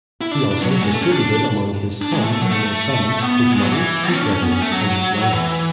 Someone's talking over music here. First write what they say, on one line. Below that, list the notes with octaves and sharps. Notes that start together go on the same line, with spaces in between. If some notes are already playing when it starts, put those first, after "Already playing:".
He also distributed among his sons and their sons his money, his revenues, and his lands.
E4
D4
D4
F#3
F#3
G#3
A3
C#4
D4
D4
G#3
A3
A3
F#3
A3
B3
G#3
F#3
E3
C#4
D4
C#4
B3
C#4
A3
F#3
E3